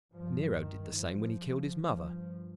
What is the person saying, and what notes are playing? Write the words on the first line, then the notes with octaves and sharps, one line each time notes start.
Nero did the same when he killed his mother.
G2 F3
D#3
F3
G2 F3